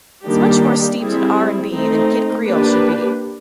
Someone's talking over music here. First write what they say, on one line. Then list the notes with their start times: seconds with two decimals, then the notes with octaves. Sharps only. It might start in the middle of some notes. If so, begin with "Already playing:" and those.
It's much more steeped in R and B than Kid Creole should be.
0.25 D#3 G3 A#3 D4 G4
0.99 G3 C4 E4 G#4
1.72 A3 C4 D#4
2.46 A#3 D4 G4 B4